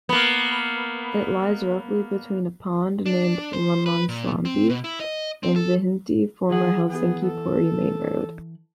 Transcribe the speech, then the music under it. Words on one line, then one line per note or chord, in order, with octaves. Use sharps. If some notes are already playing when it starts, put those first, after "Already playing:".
It lies roughly between a pond named Lammaslampi and Vihdintie, former Helsinki-Pori main road.
A#3 B3
D4
C5
B4
A#2
C4
B2
E4
D#5
C4
A4
E3 G#4 F#5
B3 G#4
A4